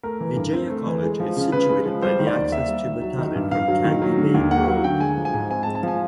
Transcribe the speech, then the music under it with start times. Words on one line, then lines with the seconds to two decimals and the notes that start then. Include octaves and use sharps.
Vijaya College is situated by the access to Matale from Kandy Main Road.
0.03 A3 A#4
0.21 E3
0.36 G2
0.53 C4
0.70 A3
0.87 E3
1.03 G#3
1.20 F3
1.36 C#3
1.52 C#3 B4
1.69 G#3
1.86 F3
2.02 G3 C5
2.19 D#3
2.27 D5
2.36 D#2
2.52 A#3 E5
2.69 G3
2.85 D#3
3.02 F#3
3.18 D#3
3.35 G2
3.51 G2 F5
3.68 F#3
3.85 D#3
4.02 F#3
4.18 D3
4.34 D#2
4.51 A#3 F#5
4.67 F#3 F#5
4.84 D3 G5
5.00 G#3 G#5
5.17 F3
5.25 G#5
5.34 G#2
5.50 C4 G#5
5.63 A5
5.67 G#3
5.75 A5
5.83 F3 G#5